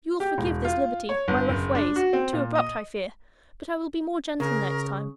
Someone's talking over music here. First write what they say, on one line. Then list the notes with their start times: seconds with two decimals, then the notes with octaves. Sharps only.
If you will forgive this liberty,--my rough ways,--too abrupt, I fear--but I will be more gentle next time.
0.20 G4
0.38 E1
0.65 F4
1.09 C#5
1.28 G1
1.49 F#1
1.75 D4
1.96 F#4
2.13 C4
2.33 A#2
2.55 D#5
4.40 C#3 A#4